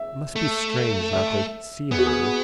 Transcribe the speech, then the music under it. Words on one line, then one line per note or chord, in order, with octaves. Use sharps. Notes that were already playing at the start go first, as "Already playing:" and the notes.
Must be strange not to see her.
Already playing: E5
A3
E5
B3 G#4
F#4
G#4